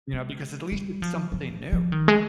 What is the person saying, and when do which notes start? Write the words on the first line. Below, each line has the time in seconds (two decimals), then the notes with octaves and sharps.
you know, because at least it's something new.
0.13 G#3
0.72 G3
1.02 F3
1.32 F3
1.72 F3
1.92 D#3
2.08 G#3